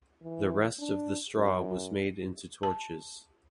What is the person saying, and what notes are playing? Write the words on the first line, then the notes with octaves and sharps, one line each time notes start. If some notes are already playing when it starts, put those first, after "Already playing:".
The rest of the straw was made into torches.
E3
D4
F#2
A5